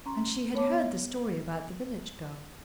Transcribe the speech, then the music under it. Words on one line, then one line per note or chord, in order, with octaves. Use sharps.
And she had heard the story about the village girl.
C#4 A#5 C6
B3 C#5 A5 D6